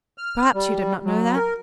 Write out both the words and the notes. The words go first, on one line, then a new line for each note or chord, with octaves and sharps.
Perhaps you did not know that?
F6
G3
F#3
A#4